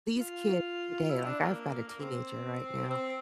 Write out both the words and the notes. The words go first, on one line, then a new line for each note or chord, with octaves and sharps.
these kids today, like I've got a teenager right now,
F4
E4
D4
A#3
A#3
C4
C4